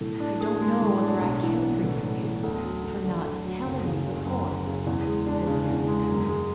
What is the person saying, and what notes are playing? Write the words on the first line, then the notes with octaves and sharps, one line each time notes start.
"I don't know whether I can forgive you for not telling me before," said Sara steadily.
A2
D4
G#4
G#3
A2
D4
B1
E3
B3
A2
B1
E3
D2
F#3
D2
D3
D2
F#3
F#1
C#3
F#1
F#2
F#1
C#3
E2
G#3
D4
C#3
E2
G#3
F#2
G#3